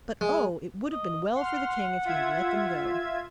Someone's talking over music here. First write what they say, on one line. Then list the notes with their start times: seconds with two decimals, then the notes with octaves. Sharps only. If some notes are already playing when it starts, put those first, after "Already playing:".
But O! it would have been well for the King if he had let them go!
0.21 G#3
0.92 D#5
1.36 F#5 C6 F6
2.05 F4 E5 G#6